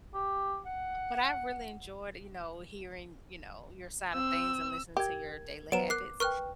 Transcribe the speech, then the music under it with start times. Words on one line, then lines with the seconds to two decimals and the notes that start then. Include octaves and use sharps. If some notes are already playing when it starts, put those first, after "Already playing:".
But, I really enjoyed, you know, hearing, you know, your side a things, and listening to your daily habits,
0.14 G4
0.66 F#5
4.13 C4 E6
4.97 G4 A#4 G#6
5.72 F#3 B3 B4 C5 A#5 D7 E7
5.90 A#4 D6 F#6 C7
6.20 A#4 B4 G5 C#6 F6 F#6